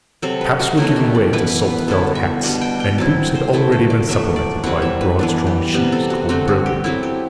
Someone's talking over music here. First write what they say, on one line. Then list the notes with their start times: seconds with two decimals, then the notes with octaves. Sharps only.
Caps were giving way to soft felt hats, and boots had already been supplanted by broad, strong shoes, called brogans.
0.22 C3 F#3 C4 A4
0.41 B4
0.59 F#4
0.77 B2 F#3 A3 E4
0.96 G4
1.15 D5
1.33 E3 B3 E4 B4
1.70 B4
1.88 D3 G3 B3 E4 A4
2.15 E5
2.43 B2 G3 D4 F#5
2.61 G5
2.80 G5
2.98 F#3 C4 E4 A5
3.35 C5
3.53 D3 A3 E4 A4
3.72 A4
3.90 D5
4.09 F#3 A3 D4 E5
4.36 D5
4.63 C3 G3 C4 E4 F#5
4.82 E5
5.01 B4
5.19 E3 B3 D4
5.47 G4
5.74 C3 G3 B3 G4
5.92 A4
6.10 F#4
6.29 D3 A3 C4 F#4
6.48 F#4
6.66 G4
6.84 F#3 C4 E4 A4
7.03 G4